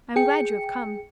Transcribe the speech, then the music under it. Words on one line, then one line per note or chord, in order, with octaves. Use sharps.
"I am glad you have come."
G#4 G5 C#7